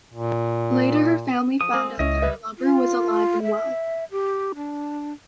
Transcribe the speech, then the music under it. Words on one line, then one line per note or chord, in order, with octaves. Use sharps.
Later, her family found out that her lover was alive and well.
A#2
F3 D#6
G#3 C4 F#4
C#2 C#4 E4 D#5
G3 B4 E5
F4
E5
G4
D4